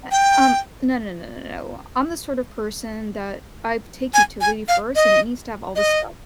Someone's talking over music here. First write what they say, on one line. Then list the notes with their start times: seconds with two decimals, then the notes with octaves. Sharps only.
Eh um, no, no, no, no, no I'm the sort of person that I'd take utility first and it needs to have all this stuff.
0.11 G5
4.14 G#5
4.41 G#5
4.68 F5
4.96 D#5
5.76 D#5